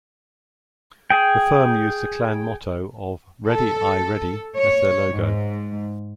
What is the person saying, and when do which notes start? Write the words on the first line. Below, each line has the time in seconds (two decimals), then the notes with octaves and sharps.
The firm used the clan motto of "Ready Aye Ready" as their logo.
1.10 G#4 G5
3.48 A4
4.57 C#5
5.11 G#2